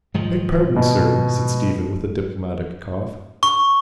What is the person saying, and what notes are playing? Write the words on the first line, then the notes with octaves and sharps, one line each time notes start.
"Beg pardon, sir," said Stephen, with a diplomatic cough.
G#2 D#3 F3
B2
C#6